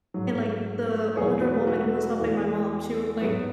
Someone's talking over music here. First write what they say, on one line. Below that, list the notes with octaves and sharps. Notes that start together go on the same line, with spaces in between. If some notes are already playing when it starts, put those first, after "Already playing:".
And, like, the older woman who was helping my mom, she was like
G#2 F#3
E2 B2 F#3 G#4 C#5
F#4 B4
G#4
F#4 B4
E2 E3
G#2 F#3 B3